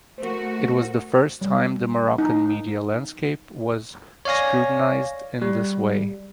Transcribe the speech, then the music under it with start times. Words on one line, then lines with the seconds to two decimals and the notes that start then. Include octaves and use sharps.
It was the first time the Moroccan media landscape was scrutinized in this way.
0.18 A3 F#4 A#4 C5
1.41 G3
2.18 D#4
4.25 C#5 D5 F5 G#5 A#6
5.42 G3